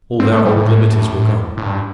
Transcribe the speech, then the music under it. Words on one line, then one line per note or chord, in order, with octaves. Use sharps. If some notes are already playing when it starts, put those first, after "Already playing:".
All their old liberties were gone.
C4
A3
G3
A2
A2
G2